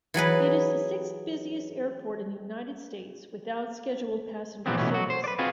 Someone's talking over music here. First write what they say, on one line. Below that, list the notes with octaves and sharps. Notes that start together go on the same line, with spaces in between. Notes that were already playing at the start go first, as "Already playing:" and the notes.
It is the sixth-busiest airport in the United States without scheduled passenger service.
E3 F#3 G#4 B4
A#2 D3 E3 F3 B3 C4
B1 B2 E3 A3 C#4
F#3 F#4
C5
B4 D5
C4 F4 F#4 G#4 B4